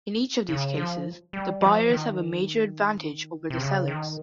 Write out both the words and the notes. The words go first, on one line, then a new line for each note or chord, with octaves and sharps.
In each of these cases, the buyers have a major advantage over the sellers.
C#3
F3
G3
F3
D#3
C3
C#3
D#3